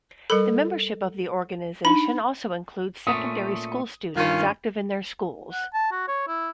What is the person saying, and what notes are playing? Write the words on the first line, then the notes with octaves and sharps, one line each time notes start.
The membership of the organisation also includes secondary school students, active in their schools.
G3 A4 A#4 B5
D4 D#4 B5
A#2 A3 C#4 D#6
G2 D#3 C#4 F4
F#5
A5
F#4
C#5
E4